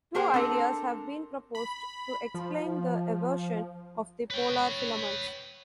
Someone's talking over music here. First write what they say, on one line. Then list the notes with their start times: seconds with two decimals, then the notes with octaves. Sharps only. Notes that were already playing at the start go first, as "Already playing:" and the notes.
Two ideas have been proposed to explain the eversion of the polar filaments.
0.14 A#3 G#4 A#4 C5 F#5
0.34 C4 D4 A4 A#4
1.55 B5
2.34 F3
4.31 B4 C#5 G5